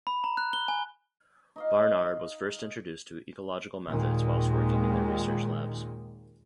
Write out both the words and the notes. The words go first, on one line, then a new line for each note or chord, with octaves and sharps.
Barnard was first introduced to ecological methods whilst working in their research labs.
B5
A#5
F#6
G7
G#5
D#4 D#5 F5
D#2 A#2 D#3 G#3